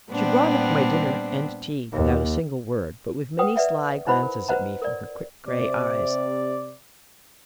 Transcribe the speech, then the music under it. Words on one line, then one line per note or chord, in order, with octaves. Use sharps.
She brought up my dinner and tea, without a single word, but with many sly glances at me from her quick grey eyes.
A#2 G3 B3 C4 D4
D#2
B4 F#5 G5 D#6
B4 D5 E5 F#5
D#4 E4 B4 C5 F#5 B5
A#4
B4 C5 D#5 F#5 A#5
A#4 D5
C3 D5